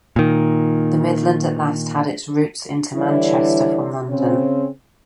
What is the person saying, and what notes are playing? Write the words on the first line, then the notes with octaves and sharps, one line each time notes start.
The Midland at last had its route into Manchester from London.
A#2 D#3
D3 E3 G3 D4 E4 C#5
C#3 C4 C#4